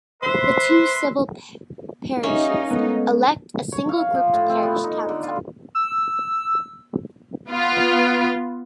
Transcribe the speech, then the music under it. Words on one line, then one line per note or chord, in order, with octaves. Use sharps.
The two civil parishes elect a single grouped parish council.
B4 C5 E5 C6
A#3 C#4 D#4 G4 D#5 E5
G#3 A3 B3 A4
C#5
F5
F5
F3
A2
C4
B3
D#4
D3
F4
E6
B3 F4